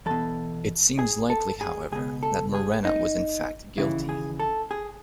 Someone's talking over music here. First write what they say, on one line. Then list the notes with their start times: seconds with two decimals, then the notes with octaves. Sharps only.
It seems likely, however, that Murena was in fact guilty.
0.06 E2 B2 A4
0.99 G#4
1.30 A4
1.61 G#4
1.92 C#2 B2 G#4
2.23 A4
2.54 G#4
2.85 D#4
3.78 D#2 C#3 E3 E4
4.09 G#4
4.40 A4
4.71 G#4